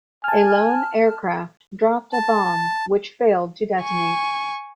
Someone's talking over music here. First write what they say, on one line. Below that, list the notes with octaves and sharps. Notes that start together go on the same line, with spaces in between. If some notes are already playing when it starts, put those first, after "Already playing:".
A lone aircraft dropped a bomb, which failed to detonate.
G#5 A5 F6
A5
G#5 C#6